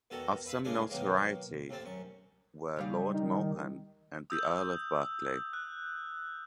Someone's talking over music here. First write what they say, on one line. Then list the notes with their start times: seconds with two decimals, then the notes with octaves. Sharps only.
Of some notoriety were Lord Mohun and the Earl of Berkeley.
0.10 E2 D#3 F#4 A4 A#5
0.46 B4 E5 F5 B5
0.64 A#2 C#3 E3 G#3 D4 G#4
0.90 B2 D#3 F#3 A#3
1.70 D#2 A2 C4 A5
1.85 F#2 C#6
2.76 C#3 G3 F5
3.14 D#3
4.30 D#6 E6 G6
5.53 F#6